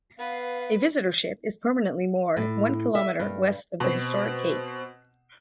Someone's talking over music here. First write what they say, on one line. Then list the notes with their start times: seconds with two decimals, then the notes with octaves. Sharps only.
A visitor ship is permanently moored one kilometer west of the historic gate.
0.19 B3 B4 F5
2.37 A2
2.95 E5
3.20 G2
3.80 B2 C4